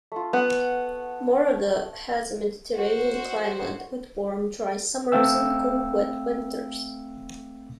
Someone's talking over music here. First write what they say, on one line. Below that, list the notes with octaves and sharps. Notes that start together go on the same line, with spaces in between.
Moraga has a Mediterranean climate, with warm, dry summers and cool, wet winters.
A3 F4
B3 F#5
F#4 C5
A3 C4 E5 F5 G5 E6